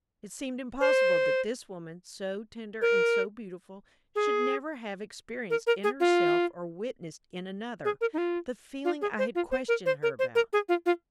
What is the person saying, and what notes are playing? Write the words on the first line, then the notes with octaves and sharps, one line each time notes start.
It seemed impossible that this woman, so tender and so beautiful, should never have experienced in herself or witnessed in another, the feeling I had questioned her about.
C5
A#4
G#4
A#4
A#4
G#4
F4
G#4
A#4
D#4
F4
F4
G#4
C5
F4
C5
A#4
C5
A#4
C5
A#4
G#4
F4
F4